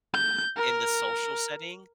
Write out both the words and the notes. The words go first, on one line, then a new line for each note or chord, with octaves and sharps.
in the social setting?
G6
A#4